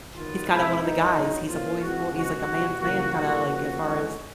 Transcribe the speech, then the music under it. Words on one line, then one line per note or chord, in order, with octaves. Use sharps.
he's kinda one of the guys, he's a boy's bo he's like a man's man kinda like, as far as
D#3 F#3 B3 F4
B2 G#3 C4 E4
D#3 G#3 B3 D#4
A2 F#3 B3
A2 F3 A#3 C#4 F4
E3 G#3 C4 F#4
C#3 F3 G#3 B3 F#4
B2 G3 B3
C#3 E3 G3 A#3 F#4
A2 E3 G3 A#3 F#4
C#3 F3 A#3 C#4 F#4
E3 G#3 C#4